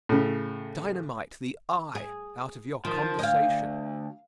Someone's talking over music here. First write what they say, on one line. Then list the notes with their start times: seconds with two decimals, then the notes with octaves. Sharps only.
Dynamite the "I" out of your conversation.
0.09 A2 C#3
1.95 G#4
2.85 D#3 F3
3.19 D2 D#5 F5